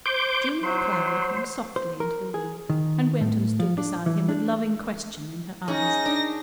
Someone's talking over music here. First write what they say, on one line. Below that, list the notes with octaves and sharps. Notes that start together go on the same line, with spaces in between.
Julia Cloud came softly into the room, and went and stood beside him with loving question in her eyes.
C5 D6 G6
F#3 C5
C5
A#4
G#4
D#3
A2
F3
D4
E3
D4
C#4 D#4 G#4 A#6
D4